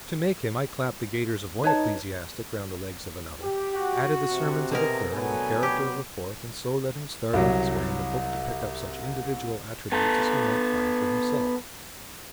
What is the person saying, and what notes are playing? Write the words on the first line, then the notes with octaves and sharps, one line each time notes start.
To make him I clapped the gaiters of one ecclesiastic round the legs of another, added the sermons of a third and the character of a fourth, and so let him start on his way in the book to pick up such individual attributes as he might find for himself.
D#4 B4 C#5 A5
G4
F#4
C3
B2 G#4 A#4
D3 F#3 A3 B3 A4 G#5
G4
C2 F#3
B3 A4